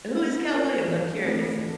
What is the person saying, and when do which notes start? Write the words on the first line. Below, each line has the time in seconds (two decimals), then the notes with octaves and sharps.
who is Cal Williams, I'm curious?
0.17 C4
0.52 F4 A#4 D5
0.88 E3
1.24 A3 C4 F4 A4
1.59 E3